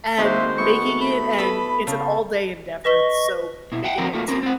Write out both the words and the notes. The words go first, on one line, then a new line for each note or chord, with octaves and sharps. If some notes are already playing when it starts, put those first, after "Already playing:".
And making it and it's an all-day endeavor, so making it to
D#3 G#3 A#3 C4 F#4 C5 E5
A3 B3 E4 C#6
B5
A4 B4
C#3 A4
B4 D#5 C#6 B6 G7
B2 E4
E5 F#5 G5
D3 F3 C4 F#4 A#4
A3 A#3 F4 F#4
C4 C#4 A#4
C4 F#5